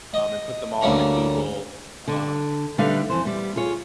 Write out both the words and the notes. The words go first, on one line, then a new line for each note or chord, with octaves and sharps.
um, and put them all in a Google, um,
D#5
D2 D3 G3 A#3 C#4 A#5
D3
D3 G3 D#4 B4 F5
F2 E3 C5
G3 B3
F4 G#4 C#5